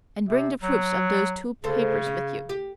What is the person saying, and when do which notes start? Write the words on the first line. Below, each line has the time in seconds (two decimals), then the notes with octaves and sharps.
And bring the proofs of those two papers with you.
0.29 C3
0.63 F#3
1.64 D2 C#3 A4 C5
2.06 C#4
2.49 G4